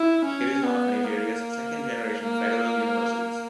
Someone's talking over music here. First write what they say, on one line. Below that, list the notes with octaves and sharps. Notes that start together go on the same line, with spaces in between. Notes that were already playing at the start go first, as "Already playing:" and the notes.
It is one of Nigeria's second generation federal universities.
Already playing: E4
C#4
B3
A#3
A#3